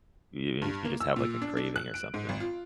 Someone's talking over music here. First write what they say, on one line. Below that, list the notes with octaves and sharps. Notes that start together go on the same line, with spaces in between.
you you could just have, like, a craving or something.
G2
A#3
E6
A#2
D4
D4
F#6
D7
G#2
G#1
F4